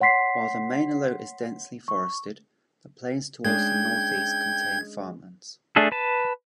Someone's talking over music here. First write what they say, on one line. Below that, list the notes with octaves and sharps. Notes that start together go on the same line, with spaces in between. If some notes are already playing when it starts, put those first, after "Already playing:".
While the Mainalo is densely forested, the plains towards the northeast contain farmlands.
C#5 F#5 C6 B6 C7
C#6
G#3 C#4 D4 G5 G#6
A3 D4 G#4 A4
B4 A5